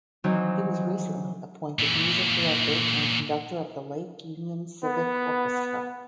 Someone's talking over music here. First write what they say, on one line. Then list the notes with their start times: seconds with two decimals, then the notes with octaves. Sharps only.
He was recently appointed Music Director and Conductor of the Lake Union Civic Orchestra.
0.24 D#3 E3 F#3 C4
1.79 A#2 E3
4.84 B3